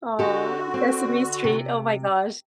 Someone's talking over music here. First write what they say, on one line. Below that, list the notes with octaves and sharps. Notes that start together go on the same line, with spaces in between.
Oh, Sesame Street, oh my gosh.
D3 F#4 G4 A4
C4
C3